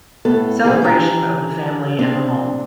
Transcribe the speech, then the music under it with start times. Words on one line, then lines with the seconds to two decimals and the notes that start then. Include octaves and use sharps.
Celebration of the Family and the Home.
0.25 A2 B3 A4
0.64 A#2 C#3 E3 F3 G4 G#4
0.82 E3 D4 G4 F#5 A#5
1.99 C3 C4 D4